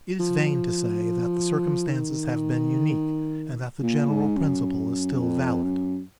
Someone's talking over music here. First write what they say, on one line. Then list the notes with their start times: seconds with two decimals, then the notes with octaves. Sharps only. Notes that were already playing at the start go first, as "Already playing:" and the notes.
It is vain to say that the circumstances have been unique and that the general principle is still valid.
0.20 F3
1.88 D#3
3.82 A#2
4.09 G#2
4.37 F#2
5.20 F2
5.63 F#2